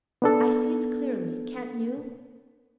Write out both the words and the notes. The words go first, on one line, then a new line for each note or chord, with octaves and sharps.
I see it clearly, can't you?
B3 D4 A4